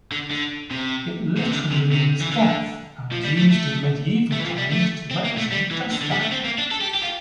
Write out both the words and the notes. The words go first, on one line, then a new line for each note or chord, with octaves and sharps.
It literally means "death" and was used in medieval times to represent just that.
D3
D3
C3
C3
D3
C3
C3
E3
D3
F3
G3
A3
A3
A3
E3
F3
G3
A3
C4
A#3
A3
G3
E3
D3
D3
G3
A3
C4
A#3
D4
A4
G4
G4
F4